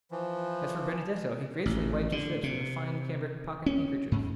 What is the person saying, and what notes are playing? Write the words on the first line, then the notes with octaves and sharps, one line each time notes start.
As for Benedetto, he gracefully wiped his lips with a fine cambric pocket-handkerchief.
E3 F3
A1
D3
C3
C#4
G#2